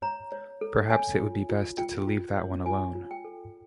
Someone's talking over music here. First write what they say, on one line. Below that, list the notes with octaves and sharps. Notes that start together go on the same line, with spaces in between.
Perhaps it would be best to leave that one alone.
C#5 A#5
C#5
A4
C#5 G#5
F4
F4
F4 G5
F4
C#5
F4 G#5
F4
G5
A4